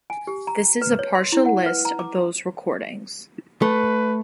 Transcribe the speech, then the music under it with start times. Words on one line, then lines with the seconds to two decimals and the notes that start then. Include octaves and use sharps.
This is a partial list of those recordings.
0.10 G#5
0.27 G4
0.47 A#5
0.82 B4
0.99 C#5
1.15 C6
1.32 E4
1.46 F#5
1.66 B4
1.85 A#5
1.99 D6
3.62 A3 B4